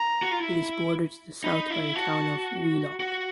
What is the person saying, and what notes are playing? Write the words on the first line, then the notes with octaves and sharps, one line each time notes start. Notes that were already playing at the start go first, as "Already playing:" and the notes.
It is bordered to the south by the town of Wheelock.
Already playing: A#5
F#4
F4
E4
D#4 B5
E4
F#4 A5
F#4